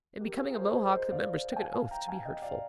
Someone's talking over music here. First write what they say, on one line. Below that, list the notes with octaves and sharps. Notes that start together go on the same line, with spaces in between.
In becoming a Mohawk the members took an oath to be hurtful.
G4 A#4
F4 G#4
A#4
G#4 C5
A#4
G#4 C5
C5 D#5
D5 F5
G5
F5 G#5
F5 G#5
G5 A#5
F5 G#5
D#5 G5
D5 F5